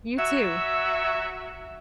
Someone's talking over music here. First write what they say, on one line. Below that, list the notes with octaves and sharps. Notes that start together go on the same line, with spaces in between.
You, too.
F#3 E5